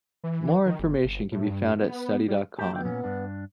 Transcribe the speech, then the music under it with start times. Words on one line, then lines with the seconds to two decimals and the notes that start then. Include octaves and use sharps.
More information can be found at Study dot com.
0.24 E3
0.66 D#3
0.79 G1
1.04 G1
1.31 A2
1.50 G2
1.80 B3
2.28 G3
2.59 A#3 G4 A#4 G5 A5
2.73 D3 B3 G5
2.85 A#2 C#4
3.04 G2 D4